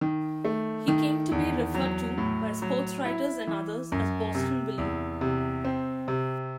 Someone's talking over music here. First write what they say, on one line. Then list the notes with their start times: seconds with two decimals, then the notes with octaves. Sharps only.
He came to be referred to by sportswriters and others as "Boston Billy".
0.01 D#3
0.45 A3
0.88 D#3
1.32 E2
1.74 F#3
2.18 A2
2.62 F#3
3.04 E4
3.47 E3
3.92 F#2
4.35 C3
4.78 E2
5.21 C3
5.65 C4
6.08 C3